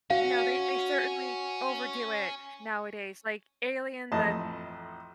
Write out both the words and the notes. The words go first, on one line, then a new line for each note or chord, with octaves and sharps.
No, they they certainly overdo it nowadays, like Alien, the
C#4 F#4 F5
A1 F2 D#5 A5